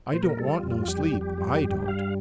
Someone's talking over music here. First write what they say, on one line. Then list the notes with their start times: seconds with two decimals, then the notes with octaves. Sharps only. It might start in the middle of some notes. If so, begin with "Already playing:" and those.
I don't want no sleep, I don't.
0.13 A#2 C5
0.22 A#4
0.38 G3 A4
0.55 F4
0.63 F2
0.71 F4
0.88 G3 G4
1.05 G4
1.13 F2
1.21 G4
1.38 G3
1.63 G2
1.88 G3 F5